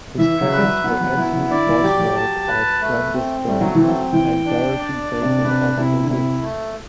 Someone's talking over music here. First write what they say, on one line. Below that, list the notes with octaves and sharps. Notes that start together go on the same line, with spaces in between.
His parents were Anthony Gosnold of Grundisburgh and Dorothy Bacon of Hessett.
E3 E5
F#3
G3 B4
F#3
F#3 B3
F#3
F#3 E4
F#3
D3 D5
E3
F#3 G4
F#3
A5
B4
A3
C4
G3 A3
F#3
E3
C4
F#3
E3 G5
D4
D5
D4
C3
C3 B4
C3 E4
D3
C3 E4
A3